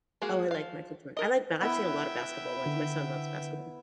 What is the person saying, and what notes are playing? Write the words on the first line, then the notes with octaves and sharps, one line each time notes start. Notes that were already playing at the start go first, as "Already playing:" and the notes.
Oh, I like Michael Jordan. I like ba I've seen a lot of basketball ones. My son loves basketball.
G#3 A#3 F#4 G#4
F3 F5
A#4 D#5
B3 E4 B4 E5 G5
D3